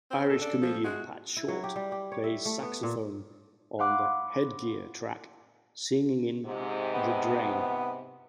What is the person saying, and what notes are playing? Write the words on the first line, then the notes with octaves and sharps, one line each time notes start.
Irish comedian Pat Shortt plays saxophone on the "Headgear" track "Singin' in The Drain".
C4
B2 A4
D4
F3
G#3 F#4
E4
F#3
G4
G3
G4
C#5
E5
A3
B3
A#2
F5 F#5 B5 C6 D6 F#6
G#2 C3
B3